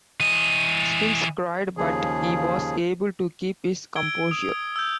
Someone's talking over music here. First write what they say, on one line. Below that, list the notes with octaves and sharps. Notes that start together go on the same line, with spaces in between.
Spinks cried, but he was able to keep his composure.
E3 D#5
D#2 C#3 F3 G#4
E6 G#6 D7 G7
D#6
E6 G6